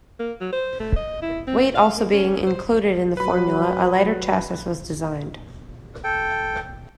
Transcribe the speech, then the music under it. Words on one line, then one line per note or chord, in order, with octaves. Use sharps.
Weight also being included in the formula, a lighter chassis was designed.
A#3
F#3
C5
A3
D#5
E4
C4
F5
A#3
C#4
C5
F#3 B4 B5
A4 G5